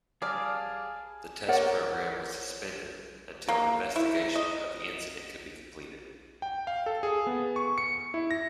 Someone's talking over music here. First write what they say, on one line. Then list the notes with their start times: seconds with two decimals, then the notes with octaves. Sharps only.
The test program was suspended until an investigation of the incident could be completed.
0.22 G3 G#4 D5 F5 G#5 A5 F6
1.48 A#4 C#5 D5 F#5
3.48 A#3
3.96 E4
4.36 D#5
6.42 G5
6.67 F5
6.86 A4
7.03 G#4
7.27 B3
7.56 C#6
7.78 C#7
8.14 E4
8.31 A#6